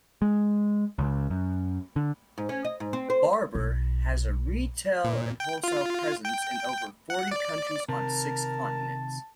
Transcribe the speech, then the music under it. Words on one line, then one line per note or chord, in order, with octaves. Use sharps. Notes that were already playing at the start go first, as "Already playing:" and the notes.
Barbour has a retail and wholesale presence in over forty countries on six continents.
G#3
C#2
F#2
D3
G#2
C#4
D#5
G#2
C4
C5
B1
A#2
G5
F4
G5
F#5
D5
C3 D#3 A#4 A5